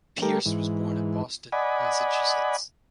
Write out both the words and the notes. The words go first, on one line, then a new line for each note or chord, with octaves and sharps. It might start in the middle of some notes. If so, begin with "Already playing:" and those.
Pearce was born at Boston, Massachusetts.
G3 A3 G4 A#4
G#2 E3
D5 D#5 F#5 G#5 B5